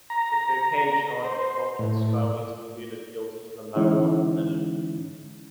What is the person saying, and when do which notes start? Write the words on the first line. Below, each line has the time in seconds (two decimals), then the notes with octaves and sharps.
The cocaine charge was dropped, and Skiles pleaded guilty to the marijuana possession.
0.10 A#5
1.24 C5
1.79 A2
3.76 D3 E3 G#3 C#4 D#4 E4